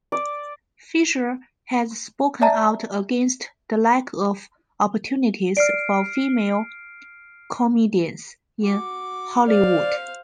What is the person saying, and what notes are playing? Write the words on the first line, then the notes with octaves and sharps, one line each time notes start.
Fisher has spoken out against the lack of opportunities for female comedians in Hollywood.
D5
D5 E5 A5 A#5
D5 F6 C7 D7
F#4 D6
C5 D5 F5